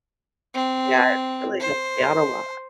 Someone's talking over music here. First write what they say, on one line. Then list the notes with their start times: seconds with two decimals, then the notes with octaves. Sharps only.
Yeah. It really helps me out a lot.
0.54 C4
1.60 C5